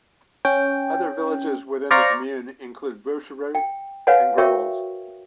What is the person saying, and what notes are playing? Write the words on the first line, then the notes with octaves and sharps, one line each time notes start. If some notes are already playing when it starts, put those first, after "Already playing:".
Other villages within the commune include Buschrodt and Grevels.
C#4 G5
C5 D5 F5 A#5 C#6
G5
B4 C#5 F5 F#5 G#5
F#4 A#4 C#5 E5 G5 C#6